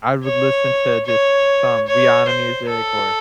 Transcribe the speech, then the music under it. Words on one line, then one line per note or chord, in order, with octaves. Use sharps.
I would listen to just some Rihanna music or
C#5
C#5
C#5
C5
A4